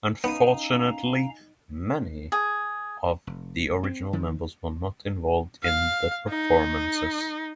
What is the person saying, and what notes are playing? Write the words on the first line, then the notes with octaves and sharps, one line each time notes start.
Unfortunately, many of the original members were not involved in the performances.
B3 C#4 D#4 F5 A#5 D#7
G#4
F1
C4
D#3 F3
F5
D#4